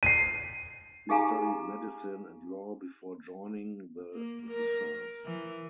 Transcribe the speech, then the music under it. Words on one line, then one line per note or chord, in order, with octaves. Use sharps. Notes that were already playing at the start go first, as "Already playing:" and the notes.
He studied medicine and law before joining the Hussars.
C7 D#7
D#4 G4 G#4 F5 G#5 A#5
A#3
A#4
E3